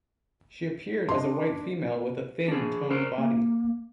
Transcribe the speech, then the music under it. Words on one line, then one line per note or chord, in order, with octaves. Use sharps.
She appeared as a white female with a thin, toned body.
D4 D#5 C6
D4 G#4
A#4 C5
A#3